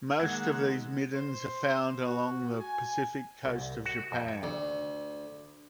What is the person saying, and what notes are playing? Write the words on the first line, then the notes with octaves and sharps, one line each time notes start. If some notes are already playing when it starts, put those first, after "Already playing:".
Most of these middens are found along the Pacific coast of Japan.
D#3 G#3 A#3 E5 F#5 G#6
C5
F#4
G#5
C2
F#4
F2
D2